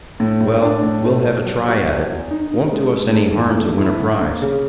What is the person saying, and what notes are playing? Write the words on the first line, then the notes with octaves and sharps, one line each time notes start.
Well, we'll have a try at it. Won't do us any harm to win a prize.
A2
A2
D4
A2
A3
F#3
F#3
F#4
E2
E2
D#4
D#4
G#3
G#3
A3
E3
A3
E4
D3
A#3
C#3